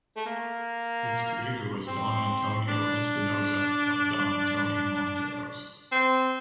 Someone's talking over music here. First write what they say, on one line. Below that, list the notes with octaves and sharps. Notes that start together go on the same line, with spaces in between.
Its creator was Don Antonio Espinoza of “Don Tony” Monteros.
A3
A#3
C4
D4
C4